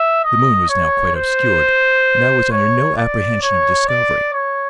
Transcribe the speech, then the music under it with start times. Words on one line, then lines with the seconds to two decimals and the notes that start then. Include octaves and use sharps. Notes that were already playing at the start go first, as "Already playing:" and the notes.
The moon was now quite obscured, and I was under no apprehension of discovery.
Already playing: E5
0.24 D#5
0.69 C#5
1.15 C5
2.51 C#5
2.97 D5
3.42 C#5
3.89 D5
4.33 C#5